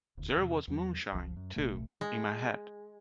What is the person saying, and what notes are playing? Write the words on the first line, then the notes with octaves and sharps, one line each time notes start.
There was moonshine, too, in my head.
E1 D2
E2 C3
E2 F#3
F1 C#2 F3
F#2
D1 A1 B2 A3
G#3